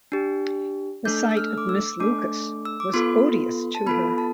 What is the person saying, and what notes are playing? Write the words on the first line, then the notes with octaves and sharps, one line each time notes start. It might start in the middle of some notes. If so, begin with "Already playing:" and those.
The sight of Miss Lucas was odious to her.
D4 G4
A3 D4 A4 G6
E6
F6
D6
E6
A3 D4 A4 D6
E6
D6
B3 F4 A4 C6
A5
B3 F4 A4 B5
A5